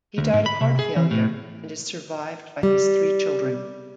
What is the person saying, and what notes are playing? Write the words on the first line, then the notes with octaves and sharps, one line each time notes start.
He died of heart failure and is survived by his three children.
D2
G#2
B5
C3
G#4
E3
A2
G3